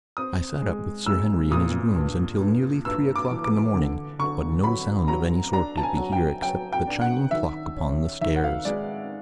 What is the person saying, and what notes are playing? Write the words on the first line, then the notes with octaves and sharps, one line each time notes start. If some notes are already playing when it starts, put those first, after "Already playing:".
I sat up with Sir Henry in his rooms until nearly three o'clock in the morning, but no sound of any sort did we hear except the chiming clock upon the stairs.
C4 D#6
G#3
G#3 E6
A#2 D#6
G2
G2
G2 E6
D6
E3
D6
D3
D3 C#6
F#3 B5
F#3 A#5
D4 A#5
A5
G#5
F#3
G5
F#3 G5
G5
D4
F#5
D#3 E5
C#4
D#3 E5
F#5
F5
G#3 D5